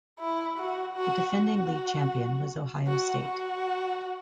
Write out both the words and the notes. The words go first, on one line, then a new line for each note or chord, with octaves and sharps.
The defending league champion was Ohio State.
E4
F#4
F#4
F#4
F#4
F#4